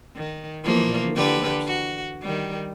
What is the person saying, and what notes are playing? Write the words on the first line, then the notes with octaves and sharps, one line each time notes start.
'Who, then, is the worst?
D#3
E3 F3 A#3
D3 G4 B4
F#4
D#3 G3